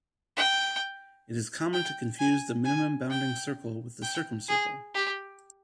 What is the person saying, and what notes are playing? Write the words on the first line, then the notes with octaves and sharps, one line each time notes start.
It is common to confuse the minimum bounding circle with the circumcircle.
G5
G5
G#5
G#5
G5
G5
G#4
G4